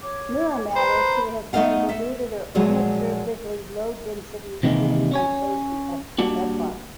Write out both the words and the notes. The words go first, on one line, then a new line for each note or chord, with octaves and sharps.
Mirror matter could have been diluted to unobservably low densities during the inflation epoch.
C#5 D6
B4 C5 A#5 B5
A3 B3 D#4 D#5 F5 F#5
A4 E5
A#2 F3 F#3 G#3 F#4
C3 D#3 E3 G#3 A#3
C#4 C#5 G#5
G3 A#3 D4 F#4 G4